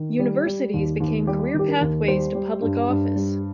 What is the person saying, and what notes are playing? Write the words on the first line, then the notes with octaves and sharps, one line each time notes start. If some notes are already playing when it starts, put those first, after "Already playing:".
Universities became career pathways to public office.
Already playing: D#3
G3
G3
D#2
D#2
G3 G4
D#3
G4
A#4
D#2
G3 C5
G3
G2
G2
G3